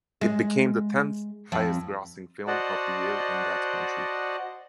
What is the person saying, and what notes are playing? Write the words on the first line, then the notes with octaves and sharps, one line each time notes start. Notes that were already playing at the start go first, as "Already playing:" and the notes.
It became the tenth highest-grossing film of the year in that country.
G#3
F2
F#4 C5 D5 D#5 F#5 A5